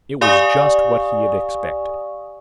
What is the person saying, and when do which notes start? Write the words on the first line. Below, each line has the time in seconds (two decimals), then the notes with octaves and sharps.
It was just what he had expected.
0.21 G4 D5 F5 G#5 C#6 D#6